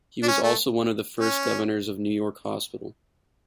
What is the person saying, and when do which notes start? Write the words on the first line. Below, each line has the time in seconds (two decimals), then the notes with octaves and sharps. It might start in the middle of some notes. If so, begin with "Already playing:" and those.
He was also one of the first governors of New York Hospital.
0.23 D4
0.28 C#4
0.43 A3
1.20 C#4